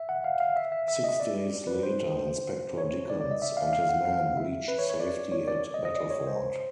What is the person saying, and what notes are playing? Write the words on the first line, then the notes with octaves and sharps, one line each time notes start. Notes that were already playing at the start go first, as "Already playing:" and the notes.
Six days later, Inspector Dickens and his men reached safety at Battleford.
Already playing: E5
F#5
F5
F5
E5
E5
E5
D#5
D5
B4
C5
C#5
D5
D5
D#5
E5
F5
F5
F#5
F5
E5
B4
C#5
C#5
D5
C#5
D5
D#5
D#5
D5
C#5
C5